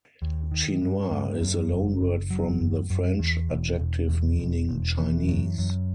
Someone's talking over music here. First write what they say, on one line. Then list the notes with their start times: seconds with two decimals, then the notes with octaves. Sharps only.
"Chinois" is a loanword from the French adjective meaning Chinese.
0.22 D#2
0.52 D#3
0.81 G2
1.11 G2
1.41 F#2
1.71 F#1
2.01 F#1
2.30 F#3
2.60 F#2
2.90 F#2
3.19 E2
3.49 E1
3.79 E1
4.09 E2
4.39 E1
4.69 E1
4.99 E3
5.28 F#2
5.58 F#2